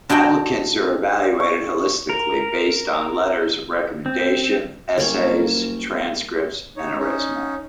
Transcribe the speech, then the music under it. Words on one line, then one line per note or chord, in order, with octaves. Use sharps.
Applicants are evaluated holistically based on letters of recommendation, essays, transcripts, and a resume.
D4 F#4 D#5 G5
C#6
A#4
C4
F#1 G3 A#3 C#4
D#4 C#5
C#4 D#4